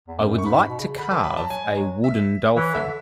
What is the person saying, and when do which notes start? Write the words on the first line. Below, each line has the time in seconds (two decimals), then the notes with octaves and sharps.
I would like to carve a wooden dolphin.
0.08 E2
0.18 F#2
0.38 C#6
0.45 G#2 B5
0.69 B2
0.80 C#3
0.98 D3 B5
1.11 E3 A5
1.24 F#3 B5
1.37 F#3 A5
1.50 F#3 G#5
1.64 G#3
1.77 F#3
2.04 E5
2.57 E3 C#5
2.74 D3 E5